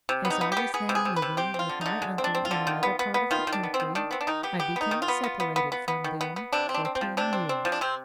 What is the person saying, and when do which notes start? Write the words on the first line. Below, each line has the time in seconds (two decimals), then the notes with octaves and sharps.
As I was then living with my uncle in another part of the country, I became separated from them for ten years.
0.09 C3
0.25 B3
0.30 D#4
0.41 B3
0.52 B3 G4
0.74 B3 G#4
0.89 C3
0.95 G#4
1.05 C3
1.16 B4
1.22 C3
1.37 C4 G4
1.54 C4 F4
1.69 D3
1.81 D3 D#4
2.02 G#3
2.18 C4
2.24 D4
2.35 C4
2.45 F4
2.51 D3
2.67 D#3
2.83 B3
2.99 B3
3.14 B3
3.31 D#3 F4
3.47 D#3
3.52 D4
3.63 B3
3.74 C4
3.80 D#3
3.95 D#3 D4
4.11 B3 C4
4.21 D4
4.27 D#3 D#4
4.43 B3 G4
4.59 B3 G4
4.76 B3 D#4
4.91 D#3
5.02 F4
5.08 B3
5.24 B3
5.40 B3
5.56 B3
5.72 B3
5.88 B3
6.04 D#3
6.21 B3
6.36 B3
6.53 C3 D4
6.69 C4
6.74 D4
6.85 C4
6.95 C4
7.01 F3
7.17 C3 D4
7.33 C4
7.49 C4
7.65 F3
7.72 D4
7.81 C3 C4